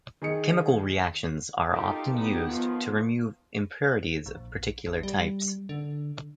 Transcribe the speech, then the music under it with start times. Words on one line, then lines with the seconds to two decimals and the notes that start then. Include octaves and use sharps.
Chemical reactions are often used to remove impurities of particular types.
0.22 D#3 G#4 D#5 C#7
1.72 D#4 F4 G4 A4 A#4
2.15 B3 D#4 G4 F#5
2.49 D#3 F3 B3 F4
4.26 A#1
4.87 A1
5.03 G3
5.69 D3